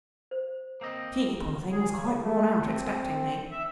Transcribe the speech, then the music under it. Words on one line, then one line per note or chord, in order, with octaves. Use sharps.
She, poor thing, was quite worn out expecting me.
C5
A#3 C4 D#5
G#4
C#3
A3
C4
E5